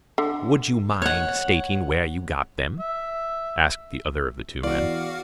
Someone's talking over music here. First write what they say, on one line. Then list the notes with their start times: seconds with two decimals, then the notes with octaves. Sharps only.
"Would you mind stating where you got them?" asked the other of the two men.
0.18 D3
1.02 C#5 F#5
2.80 E5
4.63 E2 F#4 D5 F5